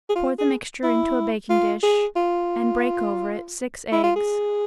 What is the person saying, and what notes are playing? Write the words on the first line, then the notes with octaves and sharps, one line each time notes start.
Pour the mixture into a baking dish, and break over it six eggs.
G#4
F4
G#4
E4
F4
G#4
F4
E4
F4
G#4